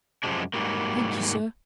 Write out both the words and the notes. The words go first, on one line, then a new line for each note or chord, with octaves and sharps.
"Thank you, sir."
F#2 C3 F3 G#3 D4
G#2 C3 F#3 G3 A#3